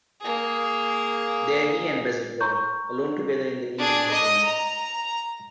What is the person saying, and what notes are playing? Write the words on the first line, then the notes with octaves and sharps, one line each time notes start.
There he and Bassett were, alone together in the evening stillness.
A#3 G#4
A#5 C6 C#6 G6
D4 G#4
D#5 D#6
A#5